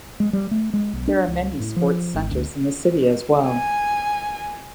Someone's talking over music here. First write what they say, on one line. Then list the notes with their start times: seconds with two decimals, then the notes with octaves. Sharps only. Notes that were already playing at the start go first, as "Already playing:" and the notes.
There are many sports centres in the city as well.
0.20 G#3
0.33 G3
0.51 A3
0.73 G#3
0.93 B1
1.08 D4
1.28 C#2
1.60 A2
1.76 F3
2.14 G#1
2.31 D2
3.48 G#5